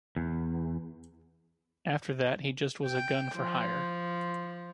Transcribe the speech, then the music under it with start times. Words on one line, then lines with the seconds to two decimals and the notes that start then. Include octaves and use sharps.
After that he just was a gun for hire.
0.16 E2
2.86 G5
3.36 F3